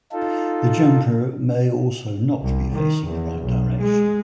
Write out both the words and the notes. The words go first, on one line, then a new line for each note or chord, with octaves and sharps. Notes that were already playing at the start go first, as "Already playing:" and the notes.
The jumper may also not be facing the right direction.
D#4 F4 A4
C2
D#3
E2
B1
G#3